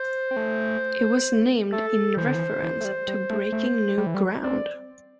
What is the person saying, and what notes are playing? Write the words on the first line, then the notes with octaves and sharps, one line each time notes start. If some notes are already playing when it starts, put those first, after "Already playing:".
It was named in reference to breaking new ground.
Already playing: C5
C4
A3
A3 A4
E3 C5
D3
E3
E3
A3
G3
G3
A3
A3
G3
E3
G3
C4 D5